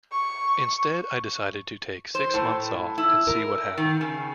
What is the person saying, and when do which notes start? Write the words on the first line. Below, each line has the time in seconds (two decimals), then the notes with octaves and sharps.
Instead I decided to take six months off and see what happened.
0.12 C#6
2.15 C5
2.34 A2
2.98 E4
3.27 A#4
3.78 D#3
4.01 C#3